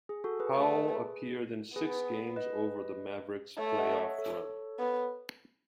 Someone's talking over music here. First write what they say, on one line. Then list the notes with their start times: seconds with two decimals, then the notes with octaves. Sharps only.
Powell appeared in six games over the Mavericks' playoff run.
0.09 G#4
0.24 F#4 A4
0.39 G#4 B4
0.55 A3
1.76 B3 G#4 B4
2.36 B4 D#5
3.57 A3 C#5 E5
3.78 D#5 F#5
3.98 C#5 E5
4.18 A4 C#5
4.79 B3